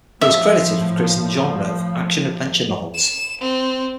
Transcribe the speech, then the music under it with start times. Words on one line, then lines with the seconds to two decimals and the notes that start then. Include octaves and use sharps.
He is credited with creating the genre of action-adventure novels.
0.21 A2 F3 E5
2.95 E7
3.41 C4